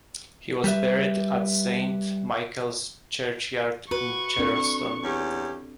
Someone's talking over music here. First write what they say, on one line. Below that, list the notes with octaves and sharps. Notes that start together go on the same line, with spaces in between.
He was buried at Saint Michael's Churchyard in Charleston.
G3 G4 B4 E5
F#4 B4 C#6
C4 D4 A4
E2 C#4 G4